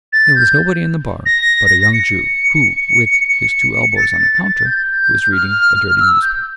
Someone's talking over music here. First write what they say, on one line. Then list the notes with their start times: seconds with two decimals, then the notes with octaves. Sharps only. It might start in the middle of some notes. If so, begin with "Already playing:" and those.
There was nobody in the bar but a young Jew, who, with his two elbows on the counter, was reading a dirty newspaper.
0.13 A6
0.35 G6
1.26 A#6
1.93 C#7
3.29 C#7
3.96 A6
4.64 G6
5.32 F6
6.00 E6
6.22 G6